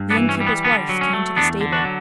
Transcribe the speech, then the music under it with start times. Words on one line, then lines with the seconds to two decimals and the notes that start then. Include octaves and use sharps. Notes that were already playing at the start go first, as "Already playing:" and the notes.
The inn-keeper's wife came to the stable.
Already playing: G2
0.10 B3 D4
0.17 E3
0.29 C#4
0.40 G3
0.47 B3
0.64 D3 B3
0.89 F#3
1.01 C#4
1.13 A3
1.36 E2 B3 D4
1.61 D3
1.72 D4 F#4
1.85 F#3